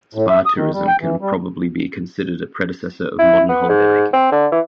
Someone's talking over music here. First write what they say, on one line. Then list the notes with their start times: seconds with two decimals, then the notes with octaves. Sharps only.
Spa tourism can probably be considered a predecessor of modern holidaymaking.
0.15 A2
0.30 E5
0.46 D#6
0.57 D#3
0.73 G3
0.88 G5
1.01 E3
1.21 G3
3.19 E4
3.49 B3
3.69 G#2
4.13 C4
4.32 D3
4.52 E3